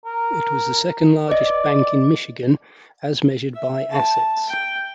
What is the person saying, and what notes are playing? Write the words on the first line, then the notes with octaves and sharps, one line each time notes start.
It was the second-largest bank in Michigan as measured by assets.
A#4
B4 D5 D#5
E5
A5
G5